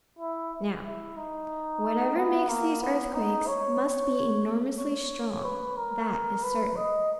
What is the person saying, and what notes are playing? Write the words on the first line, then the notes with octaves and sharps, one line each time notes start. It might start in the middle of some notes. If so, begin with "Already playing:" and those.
Now, whatever makes these earthquakes must be enormously strong; that is certain.
E4
E4
D#4
B3
A#3
B3
D#4
C#5
C#5
B4
A#4
B4
D#5